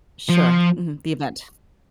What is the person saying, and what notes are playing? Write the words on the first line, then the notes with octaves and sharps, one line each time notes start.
Sure, mhm, the event.
F3